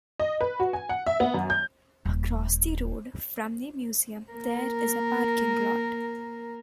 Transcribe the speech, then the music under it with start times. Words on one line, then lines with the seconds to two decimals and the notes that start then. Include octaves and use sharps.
Across the road from the museum there is a parking lot.
0.20 D#5
0.41 B4
0.60 F#4
0.73 G#5
0.89 F#5
1.07 E5
1.20 B3
1.34 F#2
1.50 G6
2.05 D#1 A#3
4.32 A#3 A#4